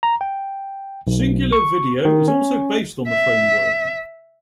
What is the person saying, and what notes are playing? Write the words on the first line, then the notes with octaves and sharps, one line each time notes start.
Cingular Video is also based on the framework.
A#5
G5
B1
C#6
D#3
C#4
E5